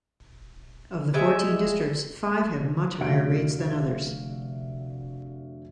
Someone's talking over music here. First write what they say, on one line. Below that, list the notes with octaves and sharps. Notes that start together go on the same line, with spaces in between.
Of the fourteen districts, five have much higher rates than others.
G3 G#3 E5
F1 D3 F#4 E5 F5 D7